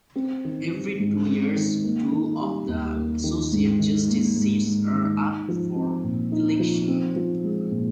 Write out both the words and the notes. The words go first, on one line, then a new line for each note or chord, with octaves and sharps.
Every two years, two of the associate justice seats are up for election.
C4
D#3
G3
G#2
C4
D#3
A#3
D#3
G3
D#2
A#3
D#3
G#2
D#3
A#3
G#2
G#2
D#3
D#4
F3
C4
A#2
D#4
F3
C4
F3
G#3
A#2